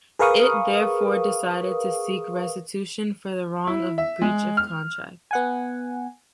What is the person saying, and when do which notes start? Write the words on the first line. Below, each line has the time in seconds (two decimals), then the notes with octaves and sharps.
It therefore decided to seek restitution for the wrong of breach of contract.
0.19 G#4 A#4 B4 F5 C#6 D#6
3.67 E4
3.98 E5
4.22 G#3
4.57 F6
5.31 B3 F#5 G#5